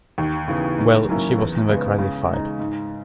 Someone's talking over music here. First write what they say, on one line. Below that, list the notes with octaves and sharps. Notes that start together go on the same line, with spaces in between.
Well, she was never gratified.
D#2
C#3 E3 B3
G#2
F#3 A#3 C#4 E4
E2
C#3 G#3 B3
C#3
G#3 D#4
G#2